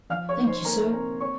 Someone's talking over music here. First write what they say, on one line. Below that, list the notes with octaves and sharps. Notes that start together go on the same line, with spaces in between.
"Thank you, sir."
F3 F5 F6
C#5 C#6
D#4
C5 C6
A#3 A#4 A#5
C3 A#4 A#5
C4 C#5 C#6